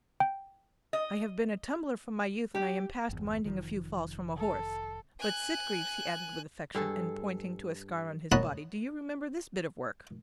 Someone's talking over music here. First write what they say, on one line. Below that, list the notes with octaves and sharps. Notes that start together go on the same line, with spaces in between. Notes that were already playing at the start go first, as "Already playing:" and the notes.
"I have been a tumbler from my youth, and I am past minding a few falls from a horse; but, Sitgreaves," he added with affection, and pointing to a scar on his body, "do you remember this bit of work?"
G5
D#5
G4
G1 E2
F1 D#3 F3
A4
G#5 F#6
G2 G#4 A4
A#4 C#5 D#5 F#5 A5 B5